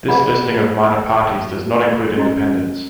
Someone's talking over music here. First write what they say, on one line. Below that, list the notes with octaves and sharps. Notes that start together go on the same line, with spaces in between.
This listing of minor parties does not include independents.
G#4 B4 D5 E5 F#5 B5
C#4 F#4 D#5 A#5